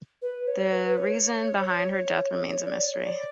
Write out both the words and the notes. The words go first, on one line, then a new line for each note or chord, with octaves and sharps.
The reason behind her death remains a mystery.
B4
C#5
B4
B4
C#5
C#5
D5
C#5
D5